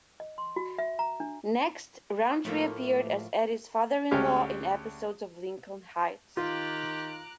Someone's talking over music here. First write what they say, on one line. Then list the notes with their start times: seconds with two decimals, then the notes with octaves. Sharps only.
Next, Roundtree appeared as Eddie's father-in-law in episodes of "Lincoln Heights".
0.20 D#5
0.38 C6
0.56 F#4
0.78 E5
0.99 A#5
1.20 D4
2.45 A2 F3 A3 A#3
4.11 D2 G#3 C#4 G4 C#5 F6
6.37 D#3 F4 G4 A#5 D6 F#6